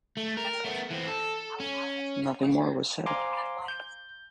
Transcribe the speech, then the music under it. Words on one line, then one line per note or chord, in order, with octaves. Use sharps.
Nothing more was said.
A3
A#4
A3 B3
E3 C4
A4
C#4
C5 F5 G#5 A#5 C6 D6
G6